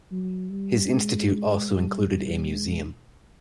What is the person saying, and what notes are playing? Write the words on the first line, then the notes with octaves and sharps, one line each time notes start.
His Institute also included a museum.
F#3
G3
G#3
G3
G#3